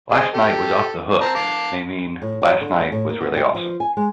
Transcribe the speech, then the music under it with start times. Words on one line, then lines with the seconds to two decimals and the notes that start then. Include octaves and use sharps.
"Last night was off-the-hook" may mean "last night was really awesome".
0.11 G#4 C5 D#5
0.34 G4 A4
1.21 C4 A5 A#5
1.35 F5 A5 D6
2.22 A2
2.42 F#3
2.61 D3
2.78 A3
2.92 A2
3.10 A#3
3.21 B3
3.36 G3
3.54 F3
3.80 G#5
3.97 G#3